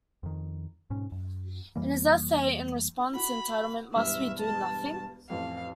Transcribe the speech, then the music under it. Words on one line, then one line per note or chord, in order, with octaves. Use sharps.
In his essay in response, entitled Must We Do Nothing?
F2 D#3
G#2 B2 C#4
F#2
F2 E3 G3 A#3
F#4 B5
E1 G2 E5 F6
A5
A1 F2 F5